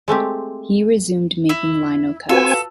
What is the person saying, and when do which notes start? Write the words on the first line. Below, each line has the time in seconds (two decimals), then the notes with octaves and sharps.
He resumed making lino-cuts.
0.08 G#3 A3 C4 G4
1.49 E4
2.29 C4 F4 F#4 A4 B4 G#5